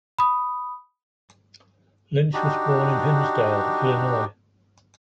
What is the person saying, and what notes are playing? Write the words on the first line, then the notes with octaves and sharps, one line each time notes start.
Lynch was born in Hinsdale, Illinois.
B5 D#6
D4 D#4 F#4 G4